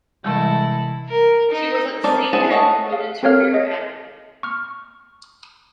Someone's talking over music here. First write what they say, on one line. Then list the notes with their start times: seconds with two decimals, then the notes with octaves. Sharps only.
She was at the same time promoted to rear admiral.
0.24 C3 E3 G3 G#3 E4 A4
1.10 A#4
1.51 D#4 D#5
2.04 C4 D#4 A4 A#4 D5
2.33 C4 E4 G#4 F#5 A5
2.50 A3 C#5 D#5 F#5 A5
2.93 F5
3.23 C4 A4 A#4 C#5 F5 F6
3.54 D#5
4.43 C#6 F6